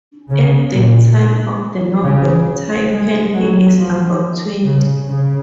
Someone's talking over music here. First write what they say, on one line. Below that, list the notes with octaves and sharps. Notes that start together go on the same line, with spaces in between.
At the time of the novel Tai-Pan, he is about twenty.
C#3
A#2
C#3
G#3
F#3
F3
C#3
C#3